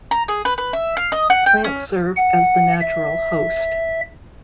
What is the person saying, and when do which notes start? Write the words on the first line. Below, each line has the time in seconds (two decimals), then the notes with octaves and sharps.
Plants serve as the natural host.
0.11 A#5
0.28 G#4
0.45 B4
0.58 B4
0.73 E5
0.97 F5
1.12 D#5
1.30 F#5
1.46 G5
1.64 C#4
2.16 F#5
2.81 E5